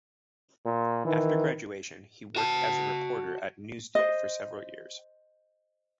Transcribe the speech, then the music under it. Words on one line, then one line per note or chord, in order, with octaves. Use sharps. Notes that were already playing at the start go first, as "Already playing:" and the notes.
After graduation, he worked as a reporter at "Newsday" for several years.
A#2
D#3 E3
F#4 A5
C5 D#5